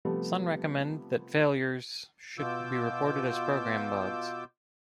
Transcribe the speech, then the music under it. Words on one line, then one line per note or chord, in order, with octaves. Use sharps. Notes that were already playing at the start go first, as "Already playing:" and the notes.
Sun recommend that failures should be reported as program bugs.
C3 F3 G3 A3 B3
B2 F4 D6 E6 G6